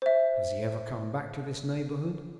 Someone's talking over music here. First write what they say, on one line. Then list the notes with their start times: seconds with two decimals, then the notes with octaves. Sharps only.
"Does he ever come back to this neighborhood?"
0.02 C5 E5